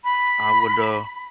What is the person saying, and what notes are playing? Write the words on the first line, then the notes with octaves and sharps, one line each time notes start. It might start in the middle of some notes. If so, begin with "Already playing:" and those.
I would, uh,
B5